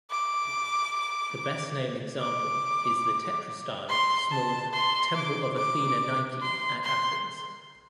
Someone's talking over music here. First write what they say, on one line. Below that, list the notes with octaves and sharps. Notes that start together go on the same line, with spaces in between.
The best-known example is the tetrastyle small Temple of Athena Nike at Athens.
D6
D6
C6
A5
C6
D6
D6
C6
C6